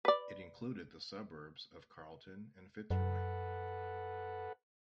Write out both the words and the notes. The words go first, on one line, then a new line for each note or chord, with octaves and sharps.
It included the suburbs of Carlton and Fitzroy.
B4 D5
F#2 A4 B4 F#5